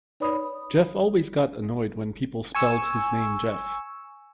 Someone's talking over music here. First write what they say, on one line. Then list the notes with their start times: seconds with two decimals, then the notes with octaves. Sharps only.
Geoff always got annoyed when people spelt his name Jeff.
0.20 D#4 B4 C#5 D5 B5 D#6
2.55 G#5 C#6 E6